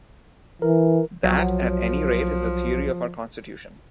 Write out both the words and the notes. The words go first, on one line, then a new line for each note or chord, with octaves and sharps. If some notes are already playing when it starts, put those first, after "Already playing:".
That at any rate is the theory of our Constitution.
E3 A#4
B1 F3 F#3